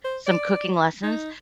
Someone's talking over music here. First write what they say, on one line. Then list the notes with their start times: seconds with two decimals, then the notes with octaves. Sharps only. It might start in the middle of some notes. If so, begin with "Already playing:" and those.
some cooking lessons
0.05 C5
0.27 D5
1.03 D#4